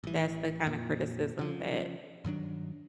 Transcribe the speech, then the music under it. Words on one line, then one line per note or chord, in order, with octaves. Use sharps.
That's the kind of criticism that
A1 E3
F2 A#2
C#3 F3
G2 D#3 F#3 D4